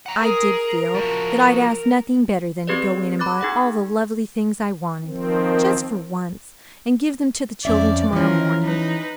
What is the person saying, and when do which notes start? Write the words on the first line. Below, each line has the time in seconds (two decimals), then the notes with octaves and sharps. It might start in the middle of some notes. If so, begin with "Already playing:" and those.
I did feel that I'd ask nothing better than to go in and buy all the lovely things I wanted, just for once, and give them to the children tomorrow morning.
0.06 F#5 A#5
0.22 G#4 A#4
0.94 F3 F#4
2.67 C4 G4 G#4 B4 D5
3.19 B5 D6 F#6 A6
3.41 D#4 G#4 F#5
5.07 D#3 F3 C4
7.65 F2 C#4 D5 E5
8.13 E3 F3 C#4 A#4
8.64 D#4 B4